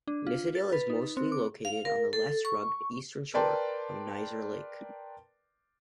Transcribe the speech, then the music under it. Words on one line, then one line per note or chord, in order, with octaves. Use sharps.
Nissedal is mostly located on the less rugged eastern shore of Nisser Lake.
D4
F4
A6
B4
D#4
C4
D6
F5
A#4
A4
C#6
A#4 B4 D5 G5 A5 C6